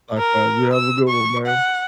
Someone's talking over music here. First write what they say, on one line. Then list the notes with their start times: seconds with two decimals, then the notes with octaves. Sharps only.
Likewise, you have a good one, ma'am.
0.18 A#4
0.73 E6
1.08 C#6
1.46 F#5